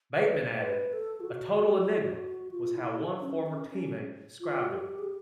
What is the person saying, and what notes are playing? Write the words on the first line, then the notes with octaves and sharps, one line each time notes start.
Bateman added, "'A total enigma' was how one former team-mate described him".
B4
C5
B4
A4
F4
F#4
F4
E4
D#4
C#4
C#4
C#4
F4
F#4
G4
G#4
G4